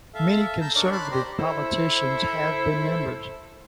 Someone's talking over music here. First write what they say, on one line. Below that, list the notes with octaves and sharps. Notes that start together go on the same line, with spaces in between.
Many Conservative politicians have been members.
A4 E5 F5
A5 A#5 E6 G6
D4 D#4 A#4 C#5 D5
A5 B5 C6 F#6
G4 C5 D5 A#5
E4 A4 C5